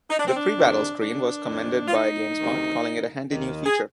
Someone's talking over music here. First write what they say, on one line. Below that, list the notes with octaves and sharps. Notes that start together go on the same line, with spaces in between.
The pre-battle screen was commended by GameSpot, calling it a handy new feature.
D#4
D4
C4
D4
F2 C3 D#3
D4
F2 D#3
F4
D#4
D2 C3 D#3
D#2 D#3
G#4